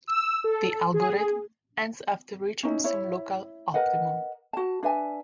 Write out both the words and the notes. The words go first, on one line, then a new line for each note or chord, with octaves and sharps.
The algorithm ends after reaching some local optimum.
E6
A4
G#4
C#4 D#4 E4
E4 C#5 E5
A#4 B4 D#5 F#5
F#4 A5
D4 B4 E5 G#5